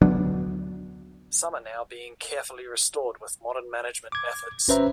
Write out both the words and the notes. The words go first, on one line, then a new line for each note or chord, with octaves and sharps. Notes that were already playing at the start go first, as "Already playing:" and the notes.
Some are now being carefully restored with modern management methods.
D2 F#3 B3 D4
D6 G#6
G#1 C#4 B4 C5 E5 A#5